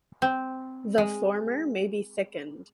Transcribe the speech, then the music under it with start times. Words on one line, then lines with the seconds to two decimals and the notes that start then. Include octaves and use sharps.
The former may be thickened.
0.22 C4
0.98 G#3